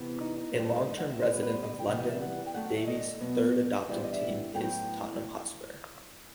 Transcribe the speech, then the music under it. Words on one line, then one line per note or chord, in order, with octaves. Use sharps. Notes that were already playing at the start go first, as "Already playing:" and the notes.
A long-term resident of London, Davies' third adopted team is Tottenham Hotspur.
Already playing: C3 E3 B3
D#4
D#4
G2 D#3 A3 C4 D#4
A4
C5
D#5
F#5
E5
B2 G3 B3 C5
B4
B4
C5
D#5
G5
C3 E3 G3 B3 F#5
D#5
E5
F#5
G5
F#2 D#3 A3 F#5
F#5
E5
D#5
B2 F#3 B3
G2 E3 G3 B3 E5
C5
D#5
E5
A2 F#3 B3 G5